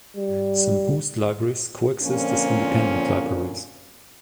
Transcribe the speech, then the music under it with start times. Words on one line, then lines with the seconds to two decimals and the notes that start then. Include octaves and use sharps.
Some Boost libraries coexist as independent libraries.
0.17 G3
2.02 A#2 D3 F3 A#3 C4 C#4